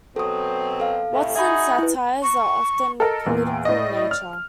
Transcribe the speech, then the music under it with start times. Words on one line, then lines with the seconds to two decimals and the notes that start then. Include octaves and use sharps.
Watson's satires are often political in nature.
0.16 B2 F#3 C4 A4 D#6
0.80 A4 F5
1.13 A2 C3
1.36 D#4 F#4 G#4 E5 B5
1.79 E4 B4
2.22 C#6
3.00 A4 A#4 D#5
3.26 E2 A#2
3.45 G5
3.65 A2 D5 D#5
4.11 F6